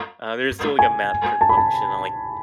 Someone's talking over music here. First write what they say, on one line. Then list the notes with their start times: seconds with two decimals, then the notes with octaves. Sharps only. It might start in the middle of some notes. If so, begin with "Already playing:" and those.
Uh, there's still, like, a map print function on, like,
0.79 G#5
1.41 A5
1.49 B5
1.57 A5